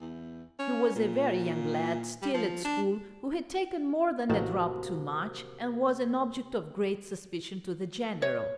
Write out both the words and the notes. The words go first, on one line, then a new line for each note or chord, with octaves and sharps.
He was a very young lad, still at school, who had taken more than a drop too much, and was an object of great suspicion to the general.
E2
C#4
A#2
G3
F3
D4
A1 C3 D#3 A#3 F#4 A5
C#5